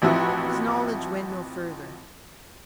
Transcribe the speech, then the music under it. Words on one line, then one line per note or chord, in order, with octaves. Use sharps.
His knowledge went no further.
A1 F3 C4 E4 F#4 B4